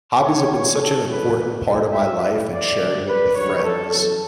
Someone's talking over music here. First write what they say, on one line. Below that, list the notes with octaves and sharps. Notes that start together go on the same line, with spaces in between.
Hobbies have been such an important part of my life and sharing it with friends
C#5
G2 E3 G3 C#5
A4
F#2 E3 G3 B4
A2 G3
E5
A2 G3
D5
D2 D3 G3
B4
F#2 D3 G3 C#5
A4
E2 C#3 F#3 A4